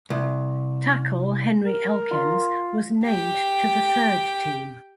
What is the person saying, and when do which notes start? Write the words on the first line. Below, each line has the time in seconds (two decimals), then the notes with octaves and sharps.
Tackle Henry Elkins was named to the third team.
0.10 C2
1.65 A#4
2.11 F4
3.05 G4 G5